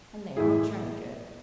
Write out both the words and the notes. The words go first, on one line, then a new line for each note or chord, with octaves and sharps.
And they all drank it.
A2 E3 A3 E4 G#4